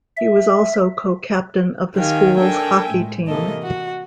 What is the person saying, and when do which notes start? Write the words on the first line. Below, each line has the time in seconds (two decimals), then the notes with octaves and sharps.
He was also co-captain of the school's hockey team.
0.17 E5
1.95 D#3 G4 F5 G5 G#5
2.36 D4 A4 A#4 E5 G5 G#5
2.90 A2 G#3 A3
3.27 C3 E3 A#3 A4 D#5
3.62 F#4